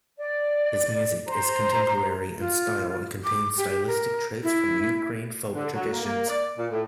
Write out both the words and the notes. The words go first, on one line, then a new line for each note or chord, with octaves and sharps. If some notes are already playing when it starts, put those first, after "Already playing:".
His music is contemporary in style and contains stylistic traits from Ukrainian folk traditions.
D5
C5 A#5
F4
D6
G4
A#4
E4
D3
F#3
A#3
A#3
D5
A#2
A2